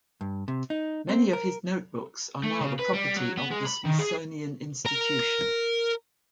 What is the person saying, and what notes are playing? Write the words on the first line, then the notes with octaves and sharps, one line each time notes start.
Many of his notebooks are now the property of the Smithsonian Institution.
G2
C3
D#4
C4
A#4
A3
C#3
B4
G3
F#3
B3
G#3
B5
D#3
G#4
A#4